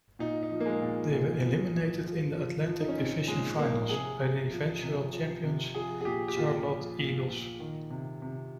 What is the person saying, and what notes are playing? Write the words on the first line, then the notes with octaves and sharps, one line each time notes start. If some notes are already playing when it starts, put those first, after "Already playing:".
They were eliminated in the Atlantic Division Finals by the eventual champions, Charlotte Eagles.
A#2 D#4
D#4
F3
A#3
G#3
A#2
A#2
F3
F3
F3
F3
F3
D#4
C#4
F3 C4
A#2 G#3
G#3
F3 A#3
C3 G#4
C3
F3
C3
F3
C3
F3 G#4
G#4
A#2 G4
G4
A#2 F4
F3
A#2
A#2
D#3
C3
C3